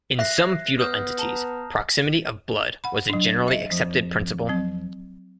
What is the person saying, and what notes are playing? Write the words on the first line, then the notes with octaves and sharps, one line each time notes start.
In some feudal entities, proximity of blood was a generally accepted principle.
E5 F#6 A#6 C7
B3 D#6 F6 G6
A5 A#5
F#5 B5
F#3 D4
D#5 E5
F2
F#3 C4